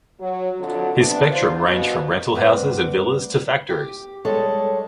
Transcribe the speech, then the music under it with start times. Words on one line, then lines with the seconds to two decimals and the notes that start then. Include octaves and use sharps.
His spectrum ranged from rental houses and villas to factories.
0.19 F#3
0.59 F2 D3 F#3
0.96 C3 B3 D4
1.29 F4 C5
1.65 G2 B2
2.35 D2 G2 C4 B4 D5
3.70 G4
4.25 G3 G#3 A4 C#5